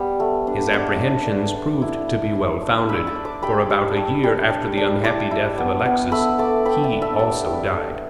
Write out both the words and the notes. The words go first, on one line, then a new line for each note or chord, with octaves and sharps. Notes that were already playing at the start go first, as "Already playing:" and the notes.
His apprehensions proved to be well founded, for about a year after the unhappy death of Alexis he also died.
Already playing: G3 B3
A3
D4
D4 A5 D6
D4
D4
D4
E4
E4
D4
D4
D4 B5 E6
A5 D6
D4
A5 D6
G3 G5 B5
G3
D4
G3
D4
D4
E4 A5 D6
E4
B3
B3
A3 B5 E6
A3 A5 D6
A3 G5 B5
E5 A5
D4
E5 A5
G3 A5 D6
G3
A3